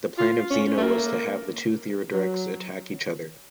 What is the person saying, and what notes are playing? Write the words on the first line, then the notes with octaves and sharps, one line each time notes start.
The plan of Zeno was to have the two Theoderics attack each other.
F4
C#4
A3
A#3
F#3